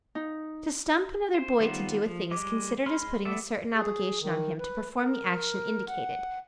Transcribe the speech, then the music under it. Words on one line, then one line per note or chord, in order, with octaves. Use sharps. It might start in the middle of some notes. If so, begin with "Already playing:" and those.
To "stump" another boy to do a thing is considered as putting a certain obligation on him to perform the action indicated.
D#4
C5
D#3 G3 B3 F4 C5
F3
G3 G#3 D#5 D6
G#3 B5 C6 F6
A3 B3 D5 E5
G#4
D#3
B4
A#4
F#5